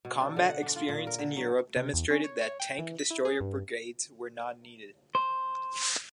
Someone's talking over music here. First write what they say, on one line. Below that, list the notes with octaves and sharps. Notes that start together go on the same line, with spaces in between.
Combat experience in Europe demonstrated that tank destroyer brigades were not needed.
B2
D4
D3
F#5
D4
F4
A#2
A#4
D3
F#3
C3
E2
C#4
C#5
C#5
G5
E3
B6
E4
G#4
G2
C5